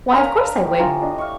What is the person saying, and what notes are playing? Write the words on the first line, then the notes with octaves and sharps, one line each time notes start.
'Why, of course I would.
D4 A#4 F5 A#5 B6
A2 G4
D3 F4 G#5 A#5
D4 D#5
F5 C#6